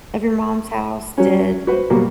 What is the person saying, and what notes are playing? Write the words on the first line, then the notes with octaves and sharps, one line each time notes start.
of your mom's house, did
F#3 C#4
F#4 B4 C5
B2 F#3 G3 A#3